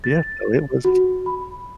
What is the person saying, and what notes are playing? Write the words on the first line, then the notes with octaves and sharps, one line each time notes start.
Yeah, so it was
A6
F#4
B5